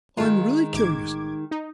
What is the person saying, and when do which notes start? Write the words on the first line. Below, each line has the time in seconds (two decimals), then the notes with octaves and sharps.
I'm really curious.
0.17 D#3 G#3 F4
0.73 A1 D6 G#6
1.51 D#4